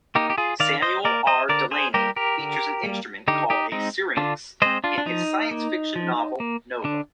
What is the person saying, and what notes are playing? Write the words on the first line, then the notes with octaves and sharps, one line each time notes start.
Samuel R. Delany features an instrument called a syrynx in his science-fiction novel "Nova".
A#3 D#4 G4
G4
F4 G#4
D#3 D5 F5
C5 D#5
A#3 A#4 D5
C5 D#5
D3 A#4 D5
G#4 C5
G3 A#3 G4 A#4
G4 A#4
D3
G3 A#3
D3 D#4 G4
D#4 G4
G#3 C4 D#4
D3 D4 F4
G#3 C4 C5 D#5
D4 F4
D4
F3 D#4
A#3
F3
A#3
D3 D4